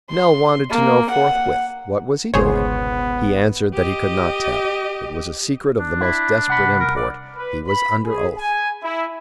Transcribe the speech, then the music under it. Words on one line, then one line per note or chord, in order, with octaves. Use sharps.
Nell wanted to know forthwith what was he doing; he answered that he could not tell, it was a secret of the most desperate import; he was under oath.
C6
A#3
F#5
G1 C#2 G#2 B2 B3 G#4 C5 C#5
G4 D#5
D4
E4
C2 F#5 B5
A#4
D5
B4
B5
G#4
G#5
E4